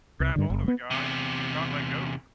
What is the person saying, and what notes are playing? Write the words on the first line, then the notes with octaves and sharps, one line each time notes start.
grab on to the guy and not let go.
C2
G2 D3
F#1
G3 B3
E2 C3